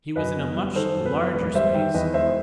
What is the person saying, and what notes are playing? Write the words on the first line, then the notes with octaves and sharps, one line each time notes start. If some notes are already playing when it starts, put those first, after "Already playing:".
He was in a much larger space.
F#2 B4 D#5
B3
G3
D#3 A4 C5
F#2
B4
B3
E1 B4
G3 C5 E5
D#3 E5 G5
E2 B4 D#5
E1 C5 E5